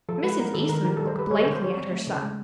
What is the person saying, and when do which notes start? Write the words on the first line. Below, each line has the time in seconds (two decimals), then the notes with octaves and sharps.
Mrs. Eastman looked blankly at her son.
0.09 F3 A4
0.23 G#3 B4
0.39 B3 A#4
0.53 D#3 A4
0.69 D#3 A#4
0.85 G3 A#4
0.97 A4
0.99 G3
1.07 C5
1.15 G3 B4
1.30 G3 C#5
1.42 C5
1.46 D3
1.54 C5
1.61 G3 C#5
1.77 C4
1.92 A3
2.07 C#3
2.22 G#3